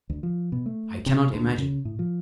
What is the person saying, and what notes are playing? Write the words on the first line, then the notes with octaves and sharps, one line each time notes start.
I cannot imagine.
D2
F3
B2
A3
C3
D2
C#3
A2
F3